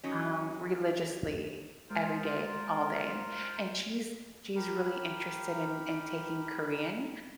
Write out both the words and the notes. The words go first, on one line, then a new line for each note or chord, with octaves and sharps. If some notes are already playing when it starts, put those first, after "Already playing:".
um, religiously, every day, all day. And she's she's really interested in in taking Korean,
D#3 F#3 C#4
G#3 F4 A#4 C5 D#6
G4 A#4 B5